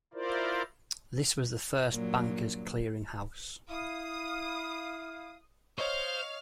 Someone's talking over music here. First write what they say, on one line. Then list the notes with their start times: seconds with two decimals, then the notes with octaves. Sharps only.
This was the first bankers' clearing house.
0.14 E4 F4 A#4 C5 D5
1.92 G2 A#2 F#3
3.69 E4 F5 D#6
5.78 C5 C#5 D#5 F5 C#6 F6